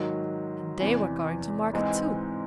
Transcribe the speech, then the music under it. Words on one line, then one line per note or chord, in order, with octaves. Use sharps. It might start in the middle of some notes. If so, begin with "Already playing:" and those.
And they were going to market too.
Already playing: G#2 D#3 F#3
E2 C3 E3
G#2 E3 G#3 C4 D#4